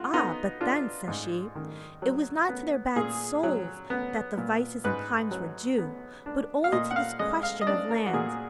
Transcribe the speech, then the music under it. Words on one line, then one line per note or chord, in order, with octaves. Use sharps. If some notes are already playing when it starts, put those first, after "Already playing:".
'Ah, but then,' says she, 'it was not to their bad souls that the vices and climes were due, but only to this question of land.
Already playing: F4 F#4
B3 D#4
D4 F4
G#2
D#3
F#3
B3
A#2 G#4
F#3
B3
A#2
G#2 B4
F#3
B3
D4
F5
A#2 D#5
F#5
F5
G#3 D#5
F5
D#5
D4 D5
A#4
F#4
A#2 G#4